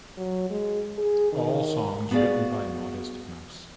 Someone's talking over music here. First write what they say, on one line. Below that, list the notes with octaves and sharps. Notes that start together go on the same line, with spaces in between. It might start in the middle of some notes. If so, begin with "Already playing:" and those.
All songs written by Modest Mouse.
F#3
G#3
G#4
D#3
B3 F#4 G#4 D5 F5